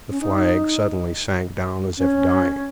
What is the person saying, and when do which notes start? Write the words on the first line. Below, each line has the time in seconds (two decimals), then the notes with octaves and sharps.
The flag suddenly sank down as if dying.
0.09 C#4
0.21 D#4
1.98 C#4